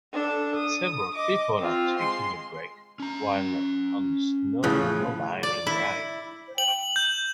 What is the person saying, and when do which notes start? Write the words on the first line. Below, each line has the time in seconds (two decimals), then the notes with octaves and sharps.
Several people are taking a break while on a snowmobiling ride.
0.13 D4 A4
0.55 D#6
1.14 D#5 D6
1.60 C4 F4
1.99 G#3 C6
3.00 C#4 A#5
4.64 A2 C#3 F3 F#6
5.43 D5
5.67 E4
6.58 F#7
6.96 G6